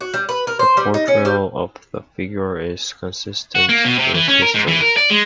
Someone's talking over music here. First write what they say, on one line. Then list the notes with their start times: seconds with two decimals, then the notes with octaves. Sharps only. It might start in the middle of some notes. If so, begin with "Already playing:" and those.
The portrayal of the figures is consistent with history.
0.01 F#4
0.14 G3
0.29 B4
0.47 A#4
0.59 C5
0.77 G3
0.94 D#4
1.08 C#4
1.25 G3
3.55 F#4
3.69 A#3
3.85 B2
3.99 C3
4.14 E3
4.28 C#4
4.42 A#4
4.54 G#2
4.67 E3
4.80 A#4
4.96 D5
5.10 G#3